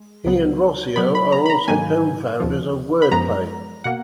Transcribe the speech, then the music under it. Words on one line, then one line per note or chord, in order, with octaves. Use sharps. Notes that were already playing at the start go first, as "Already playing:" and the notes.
He and Rossio are also co-founders of Wordplay.
Already playing: G#3
C#2 C#3 F#3 B3
B2 F#3 B3 B5
B5
A#5
B5
A#5
G#2 D#3 F#3 A#3 G#5
D#2 C#3 F3
B5
F#2 F3 G#3 B3 A#5
B2 A#3 F#5